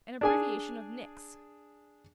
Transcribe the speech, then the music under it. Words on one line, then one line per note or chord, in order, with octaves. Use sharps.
An abbreviation of Nix.
D4 G#4 G#5